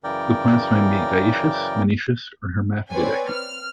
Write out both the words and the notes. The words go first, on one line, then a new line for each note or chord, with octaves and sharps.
The plants may be dioecious, monoecious, or hermaphroditic.
F#2 C#3 E3 A#4 D5 G5
C4 B4 C#5 D5 G#5
F6